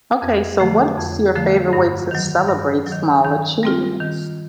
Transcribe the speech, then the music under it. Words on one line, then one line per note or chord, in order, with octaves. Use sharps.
Okay. So what's your favorite way to celebrate small achievements?
F2
D3 F3 A3
F2
D3 F3 A3
G2
D#3 F#3
G2
F#3
D#3
D#3
G3 C4 F4
D#3